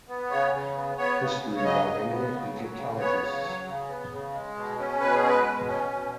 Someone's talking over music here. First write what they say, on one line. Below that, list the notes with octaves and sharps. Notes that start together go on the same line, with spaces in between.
History by Eminent Egyptologists.
B3
C#3 C#5
C#3
B3
B3 C#5
C#3
C#3
C#5
F#3 D#5
C#3
B3
C#3
F#3
C#3
B3 C#5
C#3
F#3
C#3
B3
C#3
G#3
B2
C#4
B2 B4
G#4
G#3
B4
B2
C#4
B2